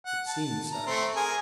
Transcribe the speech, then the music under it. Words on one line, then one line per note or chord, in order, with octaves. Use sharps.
It seemed so.
F#5
A5
A#5
A3 C4
G#4 A#4